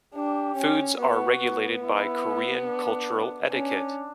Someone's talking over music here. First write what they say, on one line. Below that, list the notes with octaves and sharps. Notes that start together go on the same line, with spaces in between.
Foods are regulated by Korean cultural etiquette.
D4 G4
C#4
B3 F#4
B3
E4
D4
C#4 D4